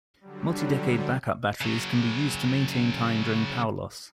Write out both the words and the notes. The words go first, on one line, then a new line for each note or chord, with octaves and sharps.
Multi-decade backup batteries can be used to maintain time during power loss.
D3 F#3 G3
C#3 F#3